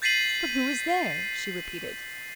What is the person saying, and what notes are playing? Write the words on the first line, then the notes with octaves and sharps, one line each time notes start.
"But who is there?" she repeated.
G6 A6 B6 C7 D#7 F#7